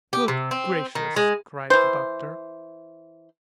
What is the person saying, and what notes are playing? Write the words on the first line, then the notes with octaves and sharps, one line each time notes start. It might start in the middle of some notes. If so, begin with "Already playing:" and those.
"Good gracious!" cried the Doctor.
G4
C3
C4
D#3
G#3
E3 C5